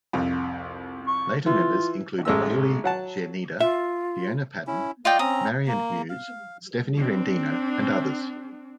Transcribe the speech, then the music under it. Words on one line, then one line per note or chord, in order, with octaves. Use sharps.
Later members included Julie Czerneda, Fiona Patton, Marian Hughes, Stephanie Rendino and others.
C2 F2
C#6
E3 F4
A1 G#3 A3 E6
F#3 F#5 A5
F4 E5
C#4 E4
F4 D5 D#5 G5
C4 C#4 A#5 D#6
A#3
F5
C4 D4